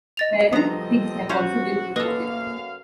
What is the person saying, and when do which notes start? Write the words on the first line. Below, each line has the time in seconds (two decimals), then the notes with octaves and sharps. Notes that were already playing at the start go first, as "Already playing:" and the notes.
Feral pigs have also been reported.
0.17 D#5 A6 F7
0.53 F3 G3 B3 C4 A4 D#5 A#5 D#6
1.29 C#4 F#4 C5 F5
1.96 F#2 A#3 A4 B4 D#5 F5